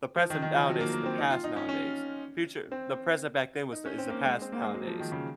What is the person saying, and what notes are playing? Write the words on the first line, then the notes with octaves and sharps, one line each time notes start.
The present nowadays is the past nowadays. Future The present back then was is the past nowadays.
F3
D#3
D#3
F3
F#3
A#3
A#3
C4
D#4
F4
D#4
C#4
C#4
C4
D#4
C#4
C4
A#3
G#3
C4
A#3
G#3
F#3
F3
D#3
C#3